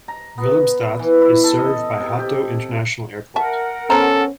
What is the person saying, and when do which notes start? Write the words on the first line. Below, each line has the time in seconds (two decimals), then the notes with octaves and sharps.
Willemstad is served by Hato International Airport.
0.08 A#5
0.38 B3
0.99 E3
1.21 E4
1.44 A4
1.58 D#5
2.00 C3
2.19 G4
3.36 A#4 E5 F#5 A5
3.90 B3 C#4 A4 C5 A#5